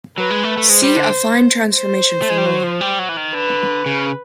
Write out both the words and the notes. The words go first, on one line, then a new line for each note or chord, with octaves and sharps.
See affine transformation for more.
F#3 B4
G#3
A3
A3
G#3 C5
G3
D3
C5
A3
G#3
G3
F#3
F3
G3
F#3
E3
D#3
D3 B4
C#3